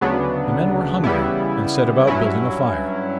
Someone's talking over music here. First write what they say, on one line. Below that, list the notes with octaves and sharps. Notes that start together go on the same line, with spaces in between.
The men were hungry and set about building a fire.
D2 C#3 F#3 B3 D4
C#3 E3 G3 B3 E4
G2 F#3 C#4 E4